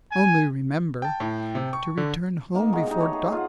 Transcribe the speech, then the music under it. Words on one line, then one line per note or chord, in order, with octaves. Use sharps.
Only remember to return home before dark.
G#5
G5 A5
A2
C3
C#6
D3
A#3 B3 D#4
G#3 B3 F#4
D#4 G4
A3 C#5 D#5
G#4
F4 F#5